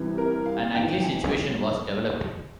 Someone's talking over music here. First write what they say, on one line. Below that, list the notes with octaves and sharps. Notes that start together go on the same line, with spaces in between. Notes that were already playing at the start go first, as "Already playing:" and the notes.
An ugly situation was developing.
Already playing: C2 C3 E3
A#4
F5
G#1 G#2 E3 G5
G#5